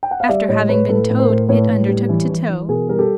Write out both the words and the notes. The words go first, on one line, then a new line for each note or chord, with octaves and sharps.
After having been towed, it undertook to tow.
G5
F#5
F5
G3 D5 E5
A2 C#5 D#5
A2 B4 C#5
A2 A4 B4
A2
A#4 C5
A2
A2 B4 C#5
A2
G3
E3
E3
E3
B2 G#4 A#4
G3 A#4
G4 A4